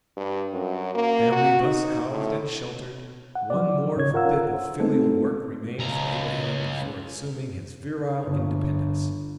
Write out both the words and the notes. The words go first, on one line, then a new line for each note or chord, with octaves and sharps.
The family thus housed and sheltered, one more bit of filial work remained for Abraham before assuming his virile independence.
G2
F#2
A#3
F#4
D#4
A2
F#5
F#3 D5
G#2 C#3 C#5 G#6
F4 A#4 F5 F#5 A#5 E6
C5
G#3 A3 B3 C4 D#4 A4
C#2 A#5
G1